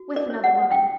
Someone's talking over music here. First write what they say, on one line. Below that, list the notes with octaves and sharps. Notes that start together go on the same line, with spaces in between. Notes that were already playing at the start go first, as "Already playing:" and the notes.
"With another woman."
Already playing: F#4
D5
C#5
F#5
C#4 G5